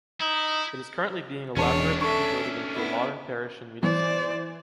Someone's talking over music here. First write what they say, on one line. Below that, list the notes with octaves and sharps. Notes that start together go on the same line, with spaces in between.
It is currently being elaborately converted into a modern parish and meeting center.
D#4 E4
E1 C#4 D4 C#5 A5
A4 E5 C#6
B3 E4
E3 C5 D5